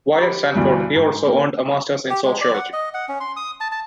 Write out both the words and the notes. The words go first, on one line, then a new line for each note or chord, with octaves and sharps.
While at Stanford he also earned a Masters in Sociology.
G4 B5
D2 G2 B2 E3 G3
G#2
A#3
G4
G#3
D5
F#5
D#5
F#5
C#4
C6
D#6
A5
A5